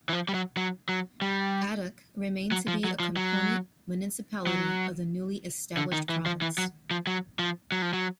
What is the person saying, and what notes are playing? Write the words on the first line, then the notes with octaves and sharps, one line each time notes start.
Atok remained to be a component municipality of the newly established province.
E3
F3
G3
F#3
F#3
F#3
G3
F#3
F3
F#3
F3
F#3
F#3
D3
D#3
E3
F3
E3
F#3
F3
F#3
F3
F#3
F3
F#3